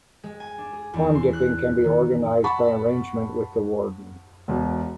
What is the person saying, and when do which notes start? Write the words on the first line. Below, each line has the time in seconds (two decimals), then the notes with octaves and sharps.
Pond dipping can be organised by arrangement with the warden.
0.23 G#3
0.40 G#5
0.58 D4
0.73 G#4
0.93 E2
1.15 C6
1.33 F#6
1.84 D#3
2.44 F#5 A5 B5 C#6
4.48 E1 B2